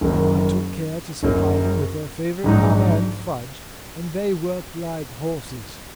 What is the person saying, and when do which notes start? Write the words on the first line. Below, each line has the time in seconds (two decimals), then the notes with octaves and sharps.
I took care to supply them with their favourite kava and fudge, and they worked like horses.
0.01 F#1 F#2 D#3 F#3
1.23 F#1 F#2 F#3 C#4
2.44 A#1 G#2 F#3 D#4